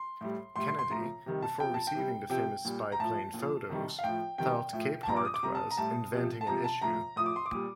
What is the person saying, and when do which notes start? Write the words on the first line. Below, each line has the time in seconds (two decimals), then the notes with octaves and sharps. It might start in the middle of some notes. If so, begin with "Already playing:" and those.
Kennedy, before receiving the famous spy-plane photos, thought Capehart was "inventing an issue".
Already playing: C6
0.21 A2 G3
0.56 A2 G3 C6
0.68 C6
0.79 C6
0.91 A2 F3 A#5
1.26 C3 D#3 G3
1.42 A5
1.60 C3 F3 G5
1.74 A5
1.87 G5
1.95 C3 G3
2.30 C3 F3 G5
2.65 A#2 G3
2.92 A#5
2.99 A2 F3 A5
3.34 A#2 F3
3.70 C3 D#3 G3
3.99 F5
4.04 A2 F3 G5
4.38 C3 D#3 G3 G5
4.73 A2 F3
5.03 A5
5.08 A#2 F3 A#5
5.17 D6
5.25 D#6
5.34 D6
5.43 C3 G3 A#5
5.55 A5
5.71 A#5
5.77 A2 G3 A5
6.12 C3 F3
6.41 A5
6.47 C3 F3 A#5
6.64 A5
6.81 A2 F3 A#5
7.16 A2 F3 D#6
7.26 D6
7.36 C6
7.46 D6
7.51 A#2 G3